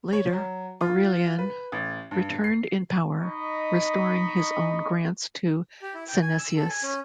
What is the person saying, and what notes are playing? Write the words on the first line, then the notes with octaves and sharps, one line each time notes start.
Later Aurelian returned in power, restoring his own grants to Synesius.
C#5
F#3
F4
B4
A1
G2
C7
D#4 D#5 B5 C#6
G4
E4
G5
G#5
E6
A4
G#5
C#4